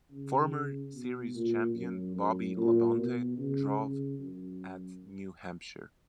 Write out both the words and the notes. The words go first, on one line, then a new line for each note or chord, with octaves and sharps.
Former series champion Bobby Labonte drove at New Hampshire.
C#3
B2
A#2
F#2
F#2
A#2
B2
C#3
C#3
F#2